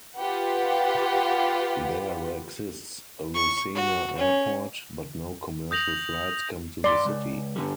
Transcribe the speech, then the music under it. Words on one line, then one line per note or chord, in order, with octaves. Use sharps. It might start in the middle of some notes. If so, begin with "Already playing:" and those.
There exists a Lucena Airport, but no commercial flights come to the city.
F4 G4 B4 F#5
C#6
F#4
C#4
D#6 G6 A#6 F7 F#7
G2 D5 C6
C#2
G2 D3 G3